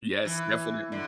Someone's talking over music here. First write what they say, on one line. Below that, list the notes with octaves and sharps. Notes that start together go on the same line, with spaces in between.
Yes, definitely.
E3
D3